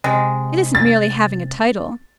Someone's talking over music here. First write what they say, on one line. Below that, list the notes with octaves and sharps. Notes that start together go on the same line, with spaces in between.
It isn't merely having a title.
C3 G#3 C4
A6